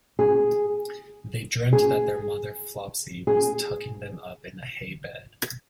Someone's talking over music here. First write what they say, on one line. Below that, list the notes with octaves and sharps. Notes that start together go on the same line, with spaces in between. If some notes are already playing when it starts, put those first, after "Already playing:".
They dreamt that their mother Flopsy was tucking them up in a hay bed.
G#4
G#4
G#4